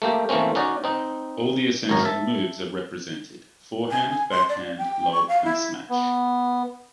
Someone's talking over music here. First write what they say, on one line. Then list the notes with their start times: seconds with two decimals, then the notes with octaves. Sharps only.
All the essential moves are represented: forehand, backhand, lob, and smash.
0.02 A3 A#3 G4
0.29 E3 A3 A#3 C4 C#4
0.55 C#4 D#4 F#4 D5
0.84 C4 D#4
1.89 G#1 F#2 A#4 C#5
2.05 E5 A5
3.91 G#5
4.10 G#5
4.31 C6
4.49 D5
4.78 G5
5.12 C#6
5.28 F5
5.44 E4
5.89 B3